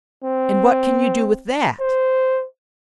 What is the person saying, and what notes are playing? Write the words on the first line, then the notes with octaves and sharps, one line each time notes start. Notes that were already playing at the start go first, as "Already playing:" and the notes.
"And what can you do with that?"
C4
C5